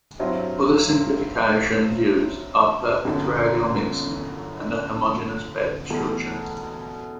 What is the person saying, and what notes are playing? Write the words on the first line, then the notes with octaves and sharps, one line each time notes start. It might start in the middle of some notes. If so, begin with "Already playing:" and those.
Other simplifications used are perfect radial mixing and a homogeneous bed structure.
G2 F#3 C4 E4
G1 F#2 D3
E2 B2 A3